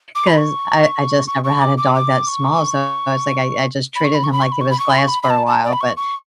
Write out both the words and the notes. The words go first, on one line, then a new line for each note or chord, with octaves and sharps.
'Cause I I just never had a dog that small, so I was like I I just treated him like he was glass for a while. But
D6
B5
C#6
C#6
C#6
D6
D6
D6
C#6
B5
C#6
B5
C#6
B5
C#6
B5
C#6
B5
C#6
B5
C#6
B5
B5
A5
A5
D5
B5
C#6
C#6